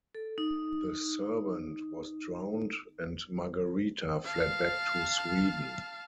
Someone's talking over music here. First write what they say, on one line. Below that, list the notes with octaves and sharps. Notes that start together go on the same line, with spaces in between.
The servant was drowned and Margareta fled back to Sweden.
A4
D#4
F5 A5